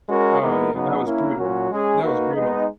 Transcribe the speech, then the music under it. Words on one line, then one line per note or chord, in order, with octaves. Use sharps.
Oh, yeah, that was brutal. That was brutal.
G#3 C#4 F#4 A#4
E3 G#3 B3 D#4 A#4
C#3 F#3 B3 D#4 F#4
A#3 C#4 E4 A#4
A#2 F#3 C#4 F#4
G#3 C#4 G#4
A#3 D#4 F#4 B4
G#3 B3 D#4